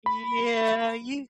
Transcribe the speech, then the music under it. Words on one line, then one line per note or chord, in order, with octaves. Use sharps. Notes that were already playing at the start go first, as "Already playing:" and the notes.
Yeah, you
B5